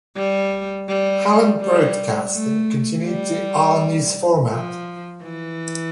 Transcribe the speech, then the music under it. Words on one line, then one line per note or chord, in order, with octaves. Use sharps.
Helen Broadcasting continued the all-news format.
G3
G3
G3
A3
G3
F3
E3